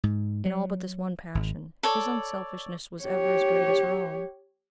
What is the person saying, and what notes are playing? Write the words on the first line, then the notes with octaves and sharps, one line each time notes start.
In all but this one passion his unselfishness was ever as great as her own.
G#2
F#3
G#1
A4 C#5 D5
G4 C#5